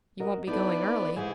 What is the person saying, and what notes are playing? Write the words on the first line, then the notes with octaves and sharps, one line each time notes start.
"You won't be going early."
F#4 A#4 D#5
B3 D#4 E4 A4 D5
G#2 E3 G4 G#4 E5